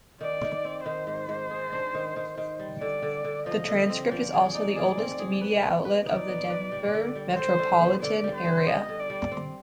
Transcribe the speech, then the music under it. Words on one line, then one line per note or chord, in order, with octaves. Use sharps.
The "Transcript" is also the oldest media outlet of the Denver metropolitan area.
D#3 D5
D#3
C4
D#3 C5
G#2
G#2
G#4
D4
D#3
D#3
D#3
G3
D3 D5
D3
D3
F3 D#5
D3
C4
F3 D5
G#4
D#4
G#4
C4
G#4
B4
B3
B4
D#4 D5
B3
B4
G3
D3
G3
D3 C5
D3
B3
D3 D5
G3
C5
B3
G3 D#5
D3
D5
G3
C4